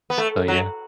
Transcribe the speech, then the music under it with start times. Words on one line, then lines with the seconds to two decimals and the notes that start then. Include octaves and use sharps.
So, yeah.
0.10 B3
0.18 A3
0.48 F#3